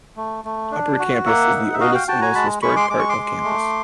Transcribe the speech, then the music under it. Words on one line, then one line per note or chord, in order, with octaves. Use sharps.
Upper Campus is the oldest and most historic part of campus.
A3
A3
D4
F#4
A#3 E5 F#5
D#4
E5
F#4 D#5 F5
F5 G5
F#4 G5 A5
G#5 A#5
G#3 A5 B5
G#3 B5 C#6
C6 D6
G#3 D6
C#6
C6 D6
G#3
A3